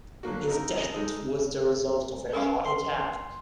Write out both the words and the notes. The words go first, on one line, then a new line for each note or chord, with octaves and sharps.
His death was the result of a heart attack.
D3 F#3 A#3 F#4
F2 D#4 A#4
D#5
G#3 D#4 A4
B3 C#4 A#4 F5 G#5 C#6
C6